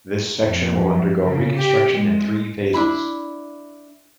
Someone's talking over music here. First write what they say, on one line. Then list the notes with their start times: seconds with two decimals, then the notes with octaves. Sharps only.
This section will undergo reconstruction in three phases.
0.43 F2
1.23 C#3
1.56 G4
1.92 G#3
2.74 D4 E4 B5